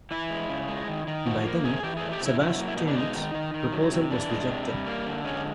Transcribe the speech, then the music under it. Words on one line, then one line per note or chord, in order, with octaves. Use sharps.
By then, Sebastian's proposal was rejected.
E3 E4
G#3
C#3
G#3
D#3
D#3
F3 F#4
A#3
C3 G#4
E3 G4
A3 G#4
G4
C3 E4
F#3 E4
A#3
E4
B2 D#4
D4
G#3 D#4
D#3
D#3
D#3
F#3
C3
E3 D4
G#3
C3
G3
A#3
D3
G#3 C#4